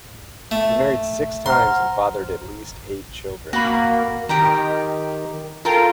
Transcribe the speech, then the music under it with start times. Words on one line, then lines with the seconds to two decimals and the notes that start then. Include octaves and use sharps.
He married six times and fathered at least eight children.
0.51 A3
1.46 C5 F#5 A#5 C6 F6
3.53 A#3 F#4 B5
4.29 D#3 G4 G5 A#5
5.65 F4 A4 A#4 G5